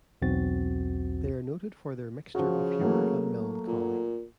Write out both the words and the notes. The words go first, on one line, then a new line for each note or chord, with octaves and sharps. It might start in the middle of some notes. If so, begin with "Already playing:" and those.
They are noted for their mixture of humour and melancholy.
B1 E2 C4 F#4 A6
C#3 F3 F#4
F#3 A3 A#3
A#2